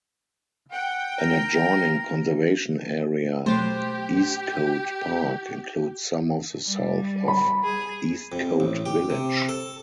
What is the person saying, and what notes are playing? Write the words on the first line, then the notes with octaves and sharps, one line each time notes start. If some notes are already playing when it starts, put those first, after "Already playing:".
An adjoining conservation area, Eastcote Park, includes some of the south of Eastcote Village.
F#5 G5
A#4
B2 F#3 A3 G4 C5
G3
B5
G#4
F2
A1
G4
C3
A4